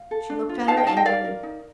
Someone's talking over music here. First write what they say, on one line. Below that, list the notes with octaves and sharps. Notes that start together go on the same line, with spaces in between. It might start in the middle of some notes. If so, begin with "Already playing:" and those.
She looked at her angrily.
Already playing: F5
A4
D4
F4
D#4 F5 A5
D#5 G5
D#4 F5 A5
D#5 G5
A#4 D5 F5
A#4
D#4